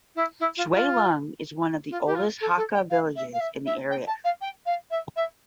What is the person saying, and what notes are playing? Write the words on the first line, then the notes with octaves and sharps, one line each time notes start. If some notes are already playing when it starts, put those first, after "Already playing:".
Chuen Lung is one of the oldest Hakka villages in the area.
E4
E4
F4
F4
F4
G4
F4
A4
A4
G5
F5
E5
F5
E5
E5
G5
A5
F5
G5
F5
E5
E5